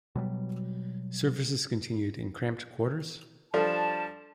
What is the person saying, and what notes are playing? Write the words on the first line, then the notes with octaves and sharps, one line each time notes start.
Services continued in cramped quarters.
B2 F#3 G3
F3 G3 D4 A4 A5